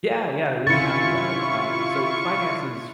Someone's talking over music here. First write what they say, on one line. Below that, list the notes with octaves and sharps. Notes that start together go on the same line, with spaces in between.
Yeah, yeah, really happy about it. Uh, so finances
C3 D#3 C#4 E4 F4 C#6 A6 C#7